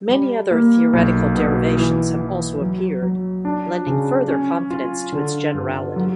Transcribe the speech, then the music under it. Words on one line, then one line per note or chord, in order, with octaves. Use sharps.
Many other theoretical derivations have also appeared, lending further confidence to its generality.
G3
A#3
B1
B2
E3
E3
F#3
F#3
D4
C#3
C#4
F4
D3
G2
F#3